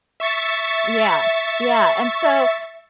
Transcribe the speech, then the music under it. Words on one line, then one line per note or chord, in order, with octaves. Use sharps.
yeah, yeah, and so
E5 C#6 A6